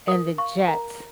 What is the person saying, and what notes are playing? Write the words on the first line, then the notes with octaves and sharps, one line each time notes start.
and the jets,
A#4 D#6
F5 C#6
A#4 A#5